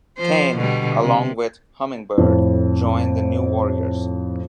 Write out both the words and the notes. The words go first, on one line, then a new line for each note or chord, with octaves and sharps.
Kaine along with Hummingbird join the New Warriors.
F3 C5
B2 D3 G3
C3
F2 A2